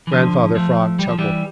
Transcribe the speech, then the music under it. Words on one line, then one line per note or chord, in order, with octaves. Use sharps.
Grandfather Frog chuckled.
E3
D3 F3
F3 A3
G3
F3
E3 G3